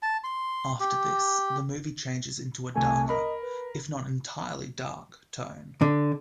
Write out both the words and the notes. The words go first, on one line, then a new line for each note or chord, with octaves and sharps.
After this, the movie changes into a darker, if not entirely dark, tone.
A5
C6
G4
C2 A3 G#5
A#4 D#5 B5
B4
D3